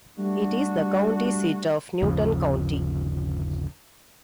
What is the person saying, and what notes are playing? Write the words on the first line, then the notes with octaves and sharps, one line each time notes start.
It is the county seat of Newton County.
G3 A3 D4 F#4
G1 D#2 C#3 F3